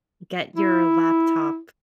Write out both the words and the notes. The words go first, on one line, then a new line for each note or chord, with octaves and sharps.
get your laptop
E4